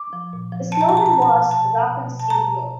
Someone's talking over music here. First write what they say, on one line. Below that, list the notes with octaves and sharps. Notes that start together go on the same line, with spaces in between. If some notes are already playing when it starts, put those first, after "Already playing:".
The slogan was Rock 'N Stereo.
Already playing: D6
F3
A#2
F3
B2 A5
A#5
A5
A#5
A5
B2 A#5
A5
B2 A5
B2
A5
B2 A#5